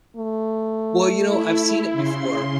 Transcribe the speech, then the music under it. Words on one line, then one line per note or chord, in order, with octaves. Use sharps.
Well, you know, I've seen it before
A3
E4
C#3 C6